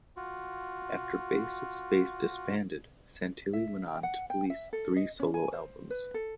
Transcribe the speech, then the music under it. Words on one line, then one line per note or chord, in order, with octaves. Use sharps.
After Bass is Base disbanded, Santilli went on to a release three solo albums.
F4 F#4
E5
G5
F#5
G5
E5
A4
D#5
C#4
G#5
C5
B4
A4